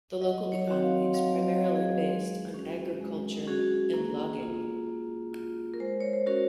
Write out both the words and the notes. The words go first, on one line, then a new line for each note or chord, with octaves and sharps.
The local economy is primarily based on agriculture and logging.
F#3 D#5
C#5
C4 F#4
F5
F#3 F5
F5
D#5
C4 F#4
G#4
G#3
C#4 F#4
G#3
C#4 F#4 G#4
A#3
F4
A#3
F4
A#4
G#3 C5
C#5
C5
C#4 F#4 A#4